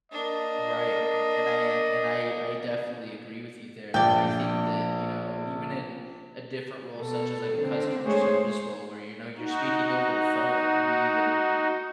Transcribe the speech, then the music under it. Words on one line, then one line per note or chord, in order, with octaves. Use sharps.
Right. And I and I I definitely agree with you there, and I think that, you know, even in a different role such as, like, a customer service role where, you know, you're speaking over the phone, it could be even,
A#3 D4 D#5
A#1 D5 G5
B2 A4
D3 C4
G#3 A3 G#4 C5 C#5
D#4 F#4